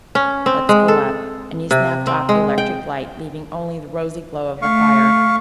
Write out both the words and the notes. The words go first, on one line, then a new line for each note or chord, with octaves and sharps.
"Let's go up." And he snapped off the electric light, leaving only the rosy glow of the fire.
C#4
C4
G#3
A4
C3
C4
G#3
G5
A3 F5 C#6